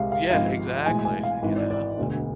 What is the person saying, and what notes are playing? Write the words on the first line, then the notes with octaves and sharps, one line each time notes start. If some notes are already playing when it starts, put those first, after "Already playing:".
Yeah, exactly, you know?
Already playing: C2 C3 G#3 F5
F5
G#1 G#2 F3 F5
B1 A2 E3 G#3 G#5
G#5
F5
G#1 G#2 E3
D5
D5
E1 D2 D3